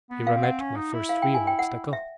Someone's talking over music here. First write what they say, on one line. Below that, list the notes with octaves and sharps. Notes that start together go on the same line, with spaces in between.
Here I met my first real obstacle.
B3
F5
C4
F#5
C#4
D#4
E4
F5
G5
G#5
G5
F#5
E5